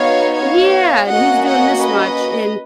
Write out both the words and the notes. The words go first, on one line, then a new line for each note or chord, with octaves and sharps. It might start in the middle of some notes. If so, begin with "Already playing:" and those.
Yeah, and who's doing this much, and
Already playing: B3 D#4 F#4 C#5 F5
C#5 F5
A#3 C#4 F#4 D#5 F#5
D#5 F#5
B4 D#5